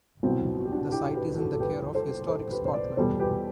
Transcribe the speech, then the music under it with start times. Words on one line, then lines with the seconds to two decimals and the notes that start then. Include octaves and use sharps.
The site is in the care of Historic Scotland.
0.23 C2 B2 F#3 C4 E4
0.58 F#4
0.65 G4
0.72 D4 F#4
0.92 E4 G4
1.14 G4 B4
1.37 F#4 A4
1.53 A4
1.60 G4 B4
1.95 A4 C5
2.28 A4 C5
2.51 G4 B4
2.65 C5
2.74 B4 D5
2.97 E2 B2 G3 A4 C5
3.19 G4 B4